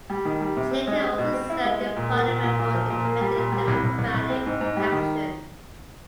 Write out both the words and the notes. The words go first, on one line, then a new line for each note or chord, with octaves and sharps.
She later also served in parliament for Independent Democratic Action.
G3
D#3
G3
C3
C4
G#3
G#3
B2
C4
E4
G#3
G#3
A#2
A#3
A#2
A#2
A#2
F3
A#2
A#3
G3
A#2
G3
C2
C2
C2
C2
C4
G#2
G#2
G3
D#3